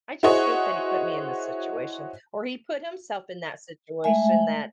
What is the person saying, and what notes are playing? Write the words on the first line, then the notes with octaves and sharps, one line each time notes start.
I just hate that he put me in this situation, or he put himself in that situation that,
E4 F#4 G#4 C5 C#5 D#5
G#3 A3 E5 G#5